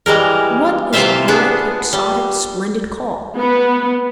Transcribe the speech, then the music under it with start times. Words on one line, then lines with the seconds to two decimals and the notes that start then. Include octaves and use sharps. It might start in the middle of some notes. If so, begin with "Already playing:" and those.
What is the high quixotic splendid call?
0.06 E3 G3 G#3 A#4
0.93 C3 E3 F4 C5 E5 F5
1.28 B3 D4 G#4
1.93 G3
3.38 B3